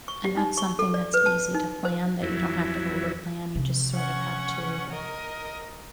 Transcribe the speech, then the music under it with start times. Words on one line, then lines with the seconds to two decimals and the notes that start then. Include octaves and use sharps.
And that's something that's easy to plan that you don't have to overplan, you just sort of have to
0.08 C#6
0.25 G4
0.37 D#4
0.57 C#6
0.79 A4
0.94 D5
1.14 B4
1.26 A5
1.55 D#4
1.85 C5
2.22 F2 F#3 E4
3.55 C3 F3
3.94 C#4 F#5 C#6
4.91 A#4 D#5